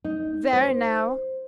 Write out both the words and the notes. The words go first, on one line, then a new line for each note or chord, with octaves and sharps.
There now!'
D#4
C5